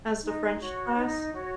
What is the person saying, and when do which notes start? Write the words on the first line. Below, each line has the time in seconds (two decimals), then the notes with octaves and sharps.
as the French class
0.22 D#4
0.59 F#4 C#5
0.96 D#4
1.32 F#4 C#5